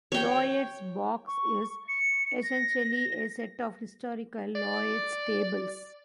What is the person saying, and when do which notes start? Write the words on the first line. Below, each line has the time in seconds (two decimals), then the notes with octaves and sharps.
Lloyd's Box is essentially a set of historical Lloyd's Tables.
0.12 C#5 G5
1.27 C#6
1.89 C#7
2.43 A#6
4.55 D5